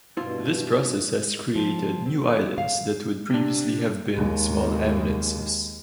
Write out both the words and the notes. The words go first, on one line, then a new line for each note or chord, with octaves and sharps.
This process has created new islands that would previously have been small eminences.
G2 B2 E4 F4 C5
F3
C4
F5
C3 D4
D#2 G#3